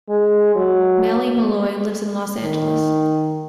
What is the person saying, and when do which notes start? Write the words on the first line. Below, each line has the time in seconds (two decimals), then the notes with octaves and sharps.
Maile Meloy lives in Los Angeles.
0.09 G#3
0.55 F#3
2.43 D#3